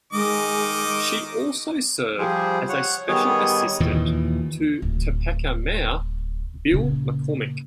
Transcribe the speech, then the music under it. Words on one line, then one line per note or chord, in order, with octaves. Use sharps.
She also served as a Special Assistant to Topeka Mayor Bill McCormick.
D#3 G#3 D#5 D6
F3 G3 G#4 C5
C#5 F#5
D#3 G3 B3 G#4 C#5 D#5
D#2 A#2 E3
D1
A#2 C#3